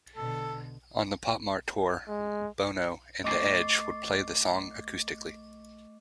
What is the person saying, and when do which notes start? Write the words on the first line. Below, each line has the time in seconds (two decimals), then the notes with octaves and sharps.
On the PopMart Tour, Bono and the Edge would play the song acoustically.
0.16 B2 D3 A4
2.08 G#3
3.24 A3 D#5 C#6 D6 A6 C7